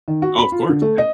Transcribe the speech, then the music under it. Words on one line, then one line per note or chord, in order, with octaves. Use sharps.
Oh, of course, yeah.
D#3
F#4
B5
F4
D3
A3
D#5